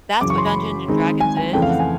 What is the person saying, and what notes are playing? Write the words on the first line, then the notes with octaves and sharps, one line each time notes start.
That's what Dungeons& Dragons is?
F#2 C#3 E3 D6
C#6
C6
B5
D#3 G#3 C4 D#4
G#5
G#5
F2 C#3 E3 A3 G5
F5
F#5
G#5